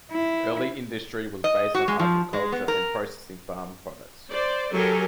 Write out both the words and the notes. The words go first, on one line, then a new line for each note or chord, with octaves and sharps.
Early industry was based on agriculture and processing farm products.
E4
D#5
F#4
G#3
F3
G#3
B3
A#4
C5 D5
F#3 G4 A4 A#4 G#5